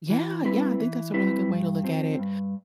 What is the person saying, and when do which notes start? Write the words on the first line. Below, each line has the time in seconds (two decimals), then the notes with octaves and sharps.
Yeah, yeah, I think that's a really good way to look at it.
0.10 E3
0.45 G3 C4 E4 B4
0.80 E3
1.14 G3 C4 E4 B4
1.49 G2
1.84 F3 C4
2.19 G2